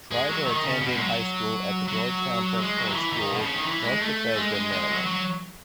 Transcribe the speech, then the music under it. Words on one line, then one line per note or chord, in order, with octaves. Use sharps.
Shriver attended high school at the Georgetown Preparatory School, North Bethesda, Maryland.
G#3
F#3
D#3
C#3
B2
G#3
F#3
F#3
G#3
F#3
D#3
E3
D#3
B2
C#3
D#3
E3
G#3
A3
G#3
G#3
G#3
F#3
F#3